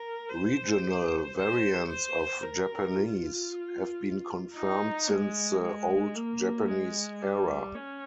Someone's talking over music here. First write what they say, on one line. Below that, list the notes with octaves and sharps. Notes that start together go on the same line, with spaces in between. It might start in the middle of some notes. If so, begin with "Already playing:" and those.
Regional variants of Japanese have been confirmed since the Old Japanese era.
Already playing: A#4
C5
C5
C5
A#4
F4
D#4
G#3
G#3
A#3
G#3
G3
C#4